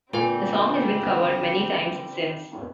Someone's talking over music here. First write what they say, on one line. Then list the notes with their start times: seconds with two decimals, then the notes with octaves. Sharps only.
The song has been covered many times since.
0.13 A#2 D3 G3 C4 A4 B4 G#5